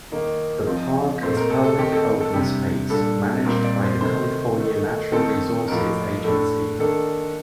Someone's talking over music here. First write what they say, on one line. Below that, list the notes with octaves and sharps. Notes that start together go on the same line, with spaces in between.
The park is public open space, managed by the California Natural Resources Agency.
D#3 A#3 D#4
F3 C4 D#4
A#2 A3 C4 D#4 C5
A#4
A4
A4
D#3 A3 C4 D#4 G4
A4
A4
C3 G3 D4 G4
A#2 G3 D4 A4
A#2 G3 C4 D#4 A#4
D5
C5
C3 D#3 A3 D#4 C5
D#3 A3 D#4
D#3 A3 C4 D#4 A4
A2 F3 A#3 D#4 A#4
A2 A3 D4 A4
D#3 A#3 D4 A4